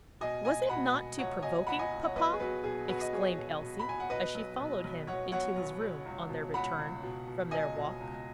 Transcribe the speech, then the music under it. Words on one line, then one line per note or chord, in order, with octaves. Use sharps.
"Was it not too provoking, papa?" exclaimed Elsie, as she followed him into his room on their return from their walk.
B2 D#5 G#5
B2 D#5 G#5
B2 F#5 B5
B2
C#2 C#5 F#5
B2 D#5 G#5
C#2 F#5 B5
D#5 G#5
C#2
C#5 F#5
B1 B4 D#5
G#4
B1 F#4 B4
B2 G#4
B2 F#4 B4
D#5
B1 G#4 C#5
B2
B2
B5
B2 G#5
F#5
B2 B4 D#5
B1
B2
B1
B1 C#5 F#5
B1 C#5 F#5
B1
B1
C#2
B2
C#2 F#5 B5
C#2
B2
B2
C#2 D#5 G#5
B2
C#2